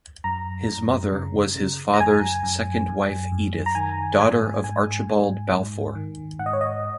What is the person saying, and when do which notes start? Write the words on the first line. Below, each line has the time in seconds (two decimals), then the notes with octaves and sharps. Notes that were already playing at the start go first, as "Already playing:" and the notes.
His mother was his father's second wife Edith, daughter of Archibald Balfour.
0.24 F#2 A#5
0.67 F#2
1.12 C#3
1.55 C#3
1.94 A#5
2.00 F#2 G#5
2.43 F#2
2.88 F#2
3.32 F#2
3.66 A#5
3.75 D#3 G#5
4.19 G#2 G#5
4.64 G#2 G#5
5.07 G#2
5.52 G#2
5.95 D#3
6.39 G#2 F#5
6.46 D#5
6.53 C#5
6.61 D#5